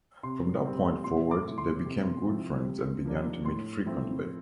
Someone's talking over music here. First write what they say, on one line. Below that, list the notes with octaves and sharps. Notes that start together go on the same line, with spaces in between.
From that point forward they became good friends and began to meet frequently.
C3 C6
G3 C4
A#2 C6
D6
A3 E4
C6
C3
F3 C4 E4
C3
F3 A#3 D4
A2 C6
F3 A3 C4 E4